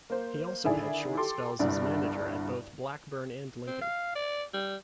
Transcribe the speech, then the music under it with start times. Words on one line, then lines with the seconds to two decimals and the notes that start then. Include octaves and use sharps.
He also had short spells as manager at both Blackburn and Lincoln.
0.10 A#3 C5
0.64 D3 D#3 E4 G#4 D5
1.17 G4 A4 C6 D6
1.59 G1 C2 G2 G3 D5
3.67 C4
3.81 F5
4.15 D5
4.54 G3